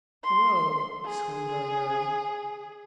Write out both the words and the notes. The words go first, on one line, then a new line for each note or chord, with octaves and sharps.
"Hello!" exclaimed our hero.
C6
G#4